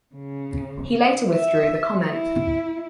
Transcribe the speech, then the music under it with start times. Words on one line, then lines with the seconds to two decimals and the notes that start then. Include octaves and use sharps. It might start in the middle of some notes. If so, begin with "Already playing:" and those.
He later withdrew the comment.
0.15 C#3
1.32 E5
2.08 E4